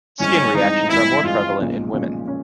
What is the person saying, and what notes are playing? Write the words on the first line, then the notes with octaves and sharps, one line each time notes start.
Skin reactions are more prevalent in women.
G2 E3 G#3 C4 C#4
G2 E3 G#3 C4 D#4
G2 E3 G#3 C4 E4
G2 E3 G#3 C4 F4
B1 A#2 F3 G#3 C#4
B1 A#2 F3 G#3 C#4
C#4